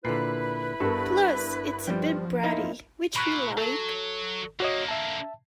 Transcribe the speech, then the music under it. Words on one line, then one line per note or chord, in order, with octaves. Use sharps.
Plus it's a bit bratty, which we like!
A#2 D3 E4 B4 B5 C7
G2 B3 A4 A#4
F3 G3 G5
A#3 D#4 E4
A#2 B5 C#6 F#6
F#3 A4
D3 A#3 F#4 C#5 D#5
E5 A5